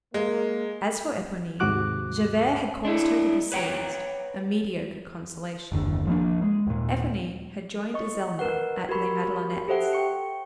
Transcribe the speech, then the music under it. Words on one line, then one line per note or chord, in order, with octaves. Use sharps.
As for Eponine, Javert had caused her to be seized; a mediocre consolation. Eponine had joined Azelma at Les Madelonettes.
G#3 A#3
D#2 G#2 C3 F#4 D6 F#6
D4 E4
B4 C#5 F#5 G5 A#5
F#1 D#2 D3
F3 A#3 D4
G#3
D#2 A#2
D#5 C#6
A#4 B4 F#5
F#4 G4 A#4 B5 C#6
G4 A4 C5 E5 F#5
G5 C#6 C#7